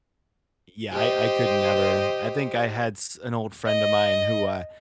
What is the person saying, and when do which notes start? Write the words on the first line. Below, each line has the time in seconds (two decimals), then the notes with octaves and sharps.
Yeah. I I could never. I think I had s an old friend of mine who, uh,
0.93 G4 C5 D#5
3.66 D#5